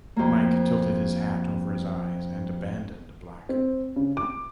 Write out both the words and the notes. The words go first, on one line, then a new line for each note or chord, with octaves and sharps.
Mike tilted his hat over his eyes and abandoned Black.
F2 A#3
C4
C#3
D6